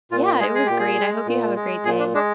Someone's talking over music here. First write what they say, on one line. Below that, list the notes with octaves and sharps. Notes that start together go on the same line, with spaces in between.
Yeah, it was great. I hope you have a great day.
A#2 F4
G4
G#3 G#4
G#4
A#2 G4
G#4
G#3
A#2
G#3
A#2 G#4
D4
G#3 D4